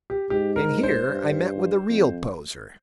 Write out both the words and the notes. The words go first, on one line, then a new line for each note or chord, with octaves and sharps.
And here I met with a real poser.
G4
G#2 G4
A#4
C5
G2
F2